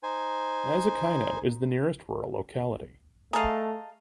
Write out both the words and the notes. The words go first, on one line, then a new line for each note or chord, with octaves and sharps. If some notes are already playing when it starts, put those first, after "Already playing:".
Mazikino is the nearest rural locality.
D#4 C5 G#5
A3 G#4 D#5 F5 A5 A#5